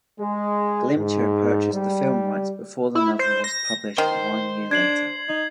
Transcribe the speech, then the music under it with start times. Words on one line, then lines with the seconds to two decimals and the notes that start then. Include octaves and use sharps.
Glimcher purchased the film rights before the novel was published one year later.
0.20 G#3
0.97 G#2
1.73 G3
2.95 E4
3.19 C5
3.44 A#6
3.98 D#3 C5
4.71 D4 G#6 C7 F#7
5.29 D#4